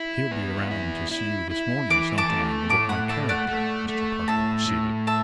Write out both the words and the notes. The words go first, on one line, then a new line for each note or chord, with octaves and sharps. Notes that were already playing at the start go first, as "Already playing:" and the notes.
"He'll be round to see you this morning, sometime, about my character," Mr. Parker proceeded.
Already playing: E4 B5
B3
E4
E4
E4
E3 D6
A5 D6
A3
A2 A5 D6
F#5 B5
A3 E5 A5
D5 F#5
A3
A3
A2 E5 A5
A2
E5 A5